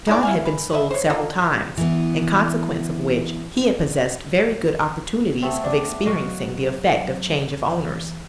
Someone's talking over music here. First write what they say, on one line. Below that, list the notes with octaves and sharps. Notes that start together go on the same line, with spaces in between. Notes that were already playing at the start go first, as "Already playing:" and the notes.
John had been sold several times, in consequence of which, he had possessed very good opportunities of experiencing the effect of change of owners.
D#4 E4 G#4 D5
E4 F5 G#5
B4
B4 D#5 E5
C5 C#5
A#3 F4 A4 D#5
E3 B3
A3 B3 C4 E5
D4
F#3 F#4 D#5 F5
E3